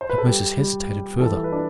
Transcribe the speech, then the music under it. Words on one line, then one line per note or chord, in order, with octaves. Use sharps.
Tutmosis hesitated further.
C5
B4
A4
G3 G4
G3
G3
E3 A4
B4
D4